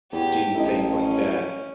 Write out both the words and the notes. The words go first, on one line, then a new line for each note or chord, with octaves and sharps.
do things like that,
E2 G4
A1 E4 D#5
C#4